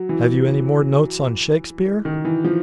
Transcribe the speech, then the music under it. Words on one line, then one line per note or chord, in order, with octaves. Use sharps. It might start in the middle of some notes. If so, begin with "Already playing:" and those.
Have you any more notes on Shakspeare?
Already playing: F#3
E3
D#3
E3
F3